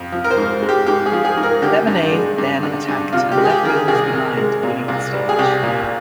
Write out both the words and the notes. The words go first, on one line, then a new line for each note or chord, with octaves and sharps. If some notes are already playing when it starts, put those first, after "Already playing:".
Thevenet then attacked, and left the others behind, winning the stage.
Already playing: F2
F3
A#4
C5
G#2
G#3
G4
G#2 G4
G#4
F3
G#4
G#2
A#4
D3 G4
G2
G#3
G2
D3
G2
C3 F4
G4
G#3
G#4
G4
D#3 A#4
G#4
C2 G#4
C3
G#3
A#2
C2
G3
G#4
C2 G4
A#2